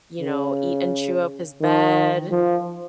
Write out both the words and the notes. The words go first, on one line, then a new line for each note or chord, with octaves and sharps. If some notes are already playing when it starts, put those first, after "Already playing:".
you know, eat and chew up his bed,
C#3
D#3
F3